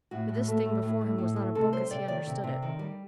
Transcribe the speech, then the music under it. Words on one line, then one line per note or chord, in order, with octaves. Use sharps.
But this thing before him was not a book as he understood it.
A2 F#4
A2
A3
A2
A2
A3
A2
A3
C3 A4
G3 C5
C3 D5
D#3 D5
C3
C3
D#3
G3